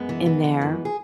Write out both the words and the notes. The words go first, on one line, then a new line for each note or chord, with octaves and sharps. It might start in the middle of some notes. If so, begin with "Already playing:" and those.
In there.
Already playing: F#2 G#3 B3
E3
E3
E3
F#2
G#4